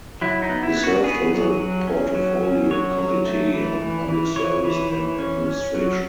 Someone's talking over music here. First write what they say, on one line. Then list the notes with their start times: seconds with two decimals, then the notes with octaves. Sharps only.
He served on the Portfolio Committee on Public Service and Administration.
0.21 F#3 E4
0.42 D#4
0.49 B3
0.63 E4
0.77 B3
0.83 F#4
1.04 B3 G#4
1.32 F#3
1.60 F#3
1.87 C#4
2.15 F#3
2.43 C#4
2.71 F#3 C#5
2.98 F#3
3.26 A3
3.54 E3
3.82 E3
4.09 E3
4.36 E3 C#5
4.64 E3
4.91 E3
5.19 C#4
5.47 C#4
5.74 F#3